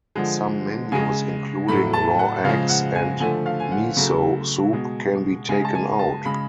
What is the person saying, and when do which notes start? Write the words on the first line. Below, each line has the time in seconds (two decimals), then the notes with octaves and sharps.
Some menus including raw eggs and miso soup can be taken out.
0.15 D3 F3 G#3
0.92 C#3 G#3 G#5
1.68 A2 F#3 A3 B5
1.93 A5
2.19 F#5
2.44 C#3 F3 G#3 F5
2.69 F#5
2.95 G#5
3.20 D3 F3 A3 G#5
3.46 F5
3.60 G#5
3.72 F#5
3.97 C#3 F#3 A3
4.73 B2 G#3
5.49 C#3 G#3 G#5
5.65 A5
5.75 G#5
5.99 A5
6.25 C#3 G#3 B5